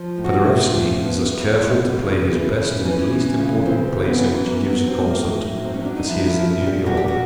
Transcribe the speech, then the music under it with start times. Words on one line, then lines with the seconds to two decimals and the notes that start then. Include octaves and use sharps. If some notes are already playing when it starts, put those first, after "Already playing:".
Paderewski is as careful to play his best in the least important place in which he gives a concert as he is in New York.
Already playing: F3
0.18 A2
0.24 F#4
0.44 A2 F#4
0.65 F4
0.71 F3
0.85 C#4
0.98 F3
1.04 B3
1.25 E3
1.51 E3
1.79 C#3
2.05 C#3
2.33 E3
2.59 E3
2.85 E3 C#4
3.12 E3
3.39 C#3
3.65 C#3 C4
3.92 E3
4.05 B3
4.19 E3
4.46 F#3 A#3
4.66 B3
4.73 F#3
4.87 C4
4.99 A2
5.06 A#3
5.26 A2 D#4
5.52 F#3
5.64 C4
5.74 C#4
5.80 F#3 D4
5.97 D#4
6.07 F3 E4
6.26 E4
6.33 F3
6.60 A#2
6.67 G4
6.86 A#2 F#4
6.97 G4
7.08 F#4